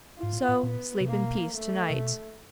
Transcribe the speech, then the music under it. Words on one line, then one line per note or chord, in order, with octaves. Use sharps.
So sleep in peace to-night.
F4
G#2
A2
A2
A#2 B3
C3
B2 A#3
A3
C3
B2